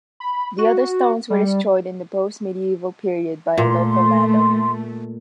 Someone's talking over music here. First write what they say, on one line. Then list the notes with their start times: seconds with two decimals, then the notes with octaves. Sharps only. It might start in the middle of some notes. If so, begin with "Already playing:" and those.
The other stones were destroyed in the post-medieval period by a local landowner.
0.20 B5
0.58 F#4
1.30 G3
3.58 A#2 A3 C6